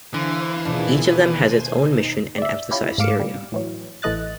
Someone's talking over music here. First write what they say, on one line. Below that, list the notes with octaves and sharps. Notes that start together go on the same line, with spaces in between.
Each of them has its own mission and emphasized area.
D3 E3 C5 F5
D#1 B2 A#3 B3 D4 F4 G#4
C5 G#5
D#4
D5 E5
C#4 E4 F4 G4
G#2 A3 F5 D6 C#7 E7
G3
A2 E3 F#3
A1 E3 A3 D#5 F#6 A6